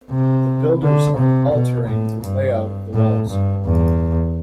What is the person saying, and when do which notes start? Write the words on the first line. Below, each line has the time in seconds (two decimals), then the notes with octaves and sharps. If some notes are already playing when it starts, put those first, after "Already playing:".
The builders are altering the layout of the walls.
0.11 C3
0.82 D3
1.18 C3
1.52 B2
1.88 A2
2.23 G2
2.94 A2
3.30 G2
3.65 E2